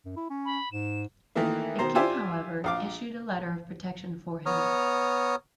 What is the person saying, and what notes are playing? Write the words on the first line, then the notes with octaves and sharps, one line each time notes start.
The king, however, issued a letter of protection for him.
F#2
E4
C#4
B5
G#2 E7
D#3 E3 A3 A#3 E4
B2 D#3 C5 A#5
F4 G4 C5 D5 E5 G#5
A#1 F5 D6
B3 C#5 A#5 D#6 F6